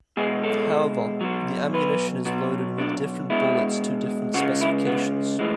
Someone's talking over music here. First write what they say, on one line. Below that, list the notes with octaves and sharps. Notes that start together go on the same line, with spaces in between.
However, the ammunition is loaded with different bullets to different specifications.
B2 G#3 G#4
A4
B2 F#3
B4
B2 F#3
D4
B2 G#3 E4
C#3 G#3 F#4
E4
B3
A2 E3 G#3